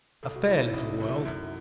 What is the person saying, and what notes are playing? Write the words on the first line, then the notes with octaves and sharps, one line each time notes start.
A fair little world.
C2 A4
F#4
C3 E3 A3 C#4 E4
D#4
C2 E4
C3 E3 A3 C#4
F#2